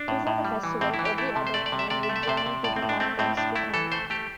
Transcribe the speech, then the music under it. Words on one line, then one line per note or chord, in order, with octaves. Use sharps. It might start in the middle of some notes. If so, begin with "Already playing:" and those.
Before the festival, every adult male would journey to the mountains to hunt.
Already playing: D4
A2
A2
G3
E3
A2 C4
E4
E3
G4
A3 E4
C3
C5
A3 D5
D5
C3
E5
C3 D5
E5
A3
E5
D5
C3 C5
D5
C3
A2 D5
C4
A2
D4
A3 C4
A2 C4
A2 D4
A3 E4
E3 A4
A3 C5
A3 G4